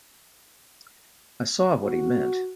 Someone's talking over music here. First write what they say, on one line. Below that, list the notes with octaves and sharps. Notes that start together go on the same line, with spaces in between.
I saw what he meant.
F#4